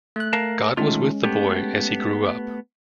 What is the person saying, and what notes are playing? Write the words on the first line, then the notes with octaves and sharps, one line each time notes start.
God was with the boy as he grew up.
A3 F#6
A#4 F5 A5
D#3 G#3 A3 C#4 F4
A3 B3 G4